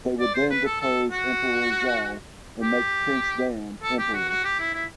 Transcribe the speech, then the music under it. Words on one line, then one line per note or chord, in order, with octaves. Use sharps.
They would then depose Emperor Zhao and make Prince Dan emperor.
D5
C5
B4
A4
A4
F#4
G4
A4
G4
F#4
F#4
G4
E4
E4